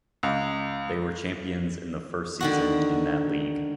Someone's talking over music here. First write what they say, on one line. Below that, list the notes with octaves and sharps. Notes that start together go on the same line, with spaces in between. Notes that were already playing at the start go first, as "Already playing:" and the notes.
They were champions in the first season in that league.
C#2
D3 D#3 F#4